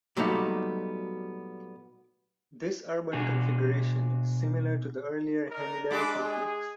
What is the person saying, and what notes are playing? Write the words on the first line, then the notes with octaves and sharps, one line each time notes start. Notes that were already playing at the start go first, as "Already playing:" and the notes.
This urban configuration is similar to the earlier Hamidiye Complex.
A#2 F#3 G3 A3 B3 D#4
B2 D4 F#4 G#4
D4 D#4 A#4
G#3 D4 F4 G4 B5 D6
G#4